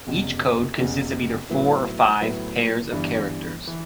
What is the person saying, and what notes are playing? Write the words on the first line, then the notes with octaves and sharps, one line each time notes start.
Each code consists of either four or five pairs of characters.
F1 E2 C#3
F1 E2 C#3
A2 F#3 B3 E4
A2 F#3 B3 E4
G1 G2 E3
E3